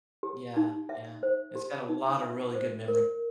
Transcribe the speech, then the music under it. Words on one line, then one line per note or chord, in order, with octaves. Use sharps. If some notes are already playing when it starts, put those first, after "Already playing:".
Yeah, yeah. It's got a lot of really good memory.
G4
D#4
E5
C5
G4
D#4
E5
C5
A#4